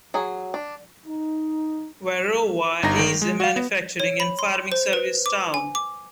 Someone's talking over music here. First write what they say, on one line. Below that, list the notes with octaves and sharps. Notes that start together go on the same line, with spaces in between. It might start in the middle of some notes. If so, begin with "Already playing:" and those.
Wairoa is a manufacturing and farming service town.
F#3 G#4
D4
D#4
G1 G2 D#4 A#5 A#6
D#3
G#3
F#4 F5
B3
C#5
B5
C6
C5
B4
D6
G#5
D6